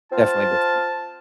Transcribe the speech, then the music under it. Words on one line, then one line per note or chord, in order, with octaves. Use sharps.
Definitely before.
C4 F4 A5